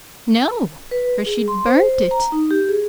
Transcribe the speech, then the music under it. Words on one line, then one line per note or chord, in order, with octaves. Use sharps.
'No! for she'd burnt it.'
B4
G#4
C6
C5
A#5
D#4
G4
G#4